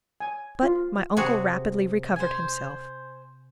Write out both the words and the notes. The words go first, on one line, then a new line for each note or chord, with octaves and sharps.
But my uncle rapidly recovered himself.
G#5
F4
C3 F#4 G#4
C5 G#5